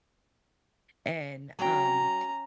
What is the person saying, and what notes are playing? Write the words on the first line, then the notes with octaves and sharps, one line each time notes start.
and, um,
F#3 C#4 G5 A#5